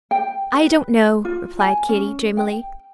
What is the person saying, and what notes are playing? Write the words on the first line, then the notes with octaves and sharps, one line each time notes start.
"I don't know," replied Katy, dreamily.
G5
B4
F4
G#5
C#4
G5